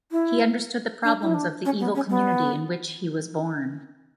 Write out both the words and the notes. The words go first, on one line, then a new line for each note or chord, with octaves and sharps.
He understood the problems of the evil community in which he was born.
E4
D4
E4
D4
C#4
B3
C#4
B3